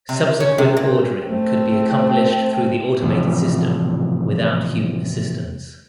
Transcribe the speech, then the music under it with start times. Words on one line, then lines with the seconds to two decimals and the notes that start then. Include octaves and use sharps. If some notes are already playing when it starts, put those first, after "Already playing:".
Subsequent ordering could be accomplished through the automated system without human assistance.
0.09 C3
0.40 C#4
0.58 C3
0.77 A#2
1.24 A3 C4
3.02 E2 A2 C3 F3